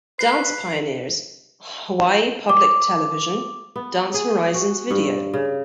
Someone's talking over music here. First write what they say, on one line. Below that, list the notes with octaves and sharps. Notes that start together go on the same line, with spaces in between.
Dance Pioneers; Hawaii Public Television; Dance Horizons Video.
B4 C7
D6
B3
G#4
F#4
G2
C#3